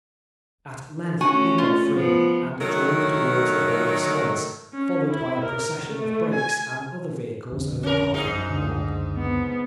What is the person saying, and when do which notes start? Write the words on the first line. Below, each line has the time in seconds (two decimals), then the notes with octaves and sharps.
At length we got free, and drove towards the Hall of Science, followed by a procession of brakes and other vehicles over half a mile long.
1.21 A3 C#4 F#4 G#5
1.58 F4
1.91 F3 B3
2.61 D#3 F#3 A3 A#4
4.73 C#4
5.08 E4
5.45 A#4
5.85 A3
6.34 G#5
7.51 A#1 F2 D3
7.83 C#4 A#4
8.14 G#2 D#4 G#4
8.50 F#1 C#2 D3
9.16 B3